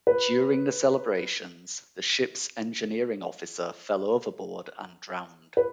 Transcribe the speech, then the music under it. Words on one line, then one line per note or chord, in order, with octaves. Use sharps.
During the celebrations, the ship's engineering officer fell overboard and drowned.
B4
B4